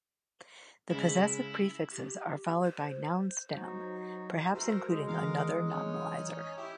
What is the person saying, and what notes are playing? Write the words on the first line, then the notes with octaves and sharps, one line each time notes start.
The possessive prefixes are followed by noun stem, perhaps including another nominalizer.
C#3 G#3 E4
G4
C5
F#3 D#4 F#4
A3 F#4 A#4 C5
G#3
E3 A#4 F5
C#4 D#4
E4 G4